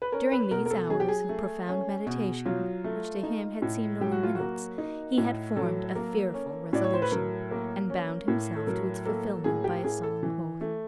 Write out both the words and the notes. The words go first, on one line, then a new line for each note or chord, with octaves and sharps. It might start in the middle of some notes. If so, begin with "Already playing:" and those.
During these hours of profound meditation, which to him had seemed only minutes, he had formed a fearful resolution, and bound himself to its fulfilment by a solemn oath.
B4
C#4 A#4
B4
B2 A#4
A#4
A4
F#3 G#4
G4
G#4
A3
C#4
B2
F#3 F4
A3
D#4
A2
F#3 G4
F#4
F4
A#3 F#4
D#4
A2
F#3 A4
A#3
C#4
A2 D5
C#5
C5
B4
F#3 A#4
A#3
C#4
A2
A4
F#3 A#4
A#3 A4
A2 G#4
G4
A2 G#4
A4
E3
A3